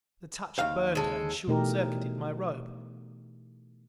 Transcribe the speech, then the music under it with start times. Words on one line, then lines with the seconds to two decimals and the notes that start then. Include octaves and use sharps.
The touch burned her, and short-circuited my robe.
0.59 D#2 F5
0.95 G#3 A4
1.48 B2 E3 A3 D#4 G4 A#4